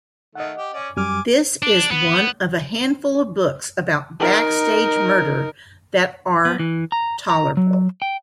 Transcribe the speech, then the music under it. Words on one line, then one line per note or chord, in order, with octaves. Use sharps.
This is one of a handful of books about backstage murder that are tolerable.
D#3 A3 D#5 F#5
G4
C#4 D5
F#2 G3 G#5 D6 F6
D4
B3
D#4 A#4
B3
E3
A#5
A#5
F#3
G5